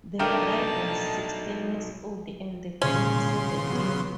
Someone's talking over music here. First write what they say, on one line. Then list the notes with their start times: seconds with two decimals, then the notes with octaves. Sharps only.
The bride was sixteen years old and the groom seventeen.
0.19 F#3 A3 D4 D#4 A#4 G5 A5 F6
2.82 A#2 C#3 C#4 C6
3.67 F#3 B3